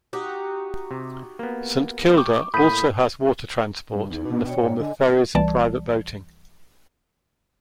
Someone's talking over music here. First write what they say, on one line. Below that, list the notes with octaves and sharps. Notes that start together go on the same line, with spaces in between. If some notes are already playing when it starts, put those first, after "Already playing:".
Saint Kilda also has water transport in the form of ferries and private boating.
D#4 F#4 G4
C3
A#3 B3
G5 C#6 D6
A2 A3 A#3 B5 D#6 G6 B6 D#7
G2
E2 D#4
B2 D4
C#5 D5 G5
G#2
D3 D#5 G#5
C2 E3 G3 D5 A5